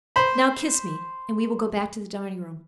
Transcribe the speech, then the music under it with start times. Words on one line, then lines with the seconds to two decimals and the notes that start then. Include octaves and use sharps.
"Now, kiss me, and we will go back to the dining-room."
0.16 C5 B5